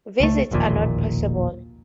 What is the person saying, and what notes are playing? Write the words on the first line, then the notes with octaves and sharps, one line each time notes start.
Visits are not possible.
C#2 A3
E1 A#1 D#2 A#2